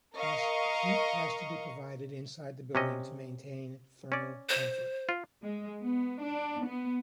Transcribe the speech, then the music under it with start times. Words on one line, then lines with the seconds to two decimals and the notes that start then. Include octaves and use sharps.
Thus heat has to be provided inside the building to maintain thermal comfort.
0.18 A#4 D#5 F5 C#6
2.75 C3 C#4 D#5
4.12 C#4 D5
4.49 C5
5.09 F4
5.43 G#3
5.82 B3
6.22 D4
6.62 B3